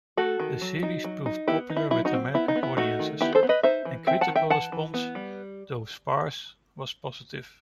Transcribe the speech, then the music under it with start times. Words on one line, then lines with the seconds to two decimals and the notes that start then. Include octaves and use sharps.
The series proved popular with American audiences and critical response, though sparse, was positive.
0.17 A3 F#4 A4
0.40 D#3
0.61 F#3
0.83 D#4
1.04 F#3
1.26 D#4
1.48 B3 E4 G4
1.70 D#4
1.76 E4
1.91 F#3 E4
2.05 D#4 F#4
2.13 C4
2.34 B3 E4
2.48 D#4
2.56 B3
2.63 E4
2.77 A3 D#4 F#4
2.99 D#3
3.21 B3 E4 G4
3.35 A4 C5
3.43 B3
3.49 B4 D#5
3.63 D#4 C5 E5
3.85 E3
4.07 C4 E5 G5
4.21 F#5 A5
4.28 D#3
4.36 E5 G5
4.50 E3 F#5 A5
4.72 E3
4.94 B3
5.15 G3